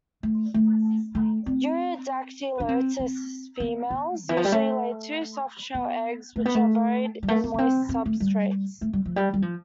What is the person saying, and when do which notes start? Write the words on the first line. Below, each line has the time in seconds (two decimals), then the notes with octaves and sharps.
"Eurydactylodes" females usually lay two soft-shelled eggs which are buried in moist substrates.
0.23 A3
0.54 A3
1.15 A3
1.46 C4
2.60 D4
2.69 C4
3.00 C4
3.60 B3
3.90 B3
4.23 D3
4.29 E3
4.37 F3
4.45 G3
4.52 A3
5.75 B3
6.36 A3
6.45 B3
6.55 A3
7.23 G3
7.28 A3
7.44 B3
7.54 B3
7.58 C4
7.89 C4
8.05 A3
8.20 G3
8.81 A3
8.93 G3
9.06 F3
9.16 G3
9.34 G3
9.42 F3